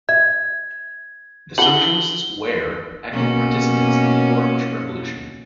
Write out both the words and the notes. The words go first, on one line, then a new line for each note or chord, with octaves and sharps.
The socialists where active participants in the Orange Revolution.
E5 G#6
E3 A4 F#5 F#7 G7
B2 A#3 C#4